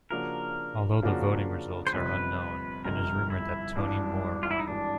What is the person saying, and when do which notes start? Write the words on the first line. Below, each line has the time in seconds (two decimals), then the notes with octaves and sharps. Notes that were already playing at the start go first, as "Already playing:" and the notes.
Although the voting results are unknown, it is rumoured that Tony Moore won.
0.10 C#3 F3 A#3 D4 F#4 A#4
1.02 C#3 F3 A#3 D4 F#4
1.87 C5
1.93 G1 F2 C3 B4
2.84 G1 F2 C3 A#4
3.30 E4
3.75 G#1 G2 E3 D4
4.43 F4
4.51 E4
4.59 D#4
4.67 G#1 G2 E3 D4